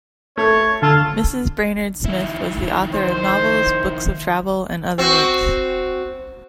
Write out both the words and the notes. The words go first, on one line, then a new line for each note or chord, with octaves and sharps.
Mrs. Brainerd Smith was the author of novels, books of travel and other works.
A3 C#5
D3 F4 A5 E6
D#3 E4
C5
C4 F#4